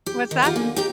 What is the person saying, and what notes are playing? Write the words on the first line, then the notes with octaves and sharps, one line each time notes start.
What's that?
G4
D#3
F4 G4 F5 F#5
D3 A#3 G#5
D#4 G4 G5